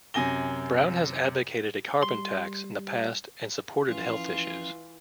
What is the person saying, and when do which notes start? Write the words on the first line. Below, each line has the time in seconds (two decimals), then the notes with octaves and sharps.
Brown has advocated a carbon tax in the past and supported health issues.
0.14 F#2 C3 G#5 A#6 G7
2.03 G3 C6
3.89 E3 F3 C#4 F4